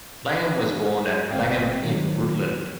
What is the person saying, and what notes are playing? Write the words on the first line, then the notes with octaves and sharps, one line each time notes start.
Langham was born at Langham in Rutland.
G1 C4 F5 G5
D#3 F3 F#3